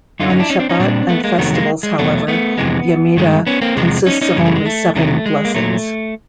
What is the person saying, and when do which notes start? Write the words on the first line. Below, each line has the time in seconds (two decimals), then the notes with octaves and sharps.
On Shabbat and festivals, however, the Amidah consists of only seven blessings.
0.20 F#2 D3 F#3 D#4 F4
0.30 C#4 D#4
0.39 D4 E4
0.50 C#4 D#4
0.60 C4 D4
0.69 C#4 D#4
0.79 A#2 G3 C4 D4
1.09 A3 B3
1.24 G#3 A#3
1.39 F2 C3 D#3 F#3 A3 B3
1.54 G#3 A#3
1.83 G#3
1.99 E2 B2 F#3 A3
2.28 A3 B3
2.58 F2 C3 E3 G#3
3.17 G2 D#3 G#3
3.47 B3 C#4
3.62 A#3 C4
3.76 E2 C3 F3 G#3
4.06 C#4 D#4
4.21 C#4 D#4
4.36 F#2 C#3 E3 G3
4.46 A3
4.55 G#3
4.66 A3
4.95 E2 C3 D#3 F#3 A3
5.26 G#3
5.45 A#3
5.55 A#2 F#3 A3